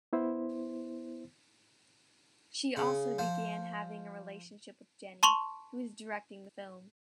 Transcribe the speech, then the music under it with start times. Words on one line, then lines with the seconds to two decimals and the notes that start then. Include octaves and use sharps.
She also began having a relationship with Jenny, who was directing the film.
0.13 B3 E4 C5
2.77 C#3
3.19 F3
5.23 A5 C6 C#6 F7 F#7